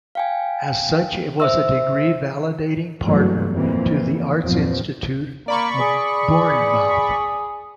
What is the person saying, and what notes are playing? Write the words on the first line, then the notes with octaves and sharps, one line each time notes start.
As such it was degree validating partner to The Arts Institute at Bournemouth.
F5 G5 G#5
C5 E5 E6
G1 G2 E3 F#3 A3 A#3
F2 A#2 E3 A#3 C4
A#1 E2 G2 F3 C4
A#3 D5 B5 C#6
G#4